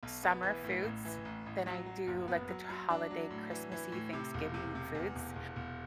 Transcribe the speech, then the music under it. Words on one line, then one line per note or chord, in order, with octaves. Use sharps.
summer foods than I do, like, the t holiday, Christmassy, Thanksgiving foods
B1
B3
E3
A2
A1
E3
A1
A1
F#3
F#3
F#1
B3
F#3
F#3
D4
F#3
A2
E3
E3
A2
C3
E1
C3
C3
E2
E1
E1
E1